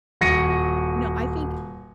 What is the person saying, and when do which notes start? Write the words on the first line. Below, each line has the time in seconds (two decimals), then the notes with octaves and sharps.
you know, I think
0.21 D#1 F#4 A#6 C#7 D#7